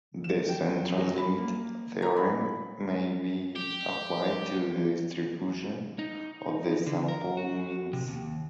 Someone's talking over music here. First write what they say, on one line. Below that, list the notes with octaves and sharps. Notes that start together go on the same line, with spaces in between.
The central limit theorem may be applied to the distribution of the sample means.
E7
G5
F#3
B5
A#3
A#5
B5
G4
D#4
D3
A#4
F#4
C3
D#2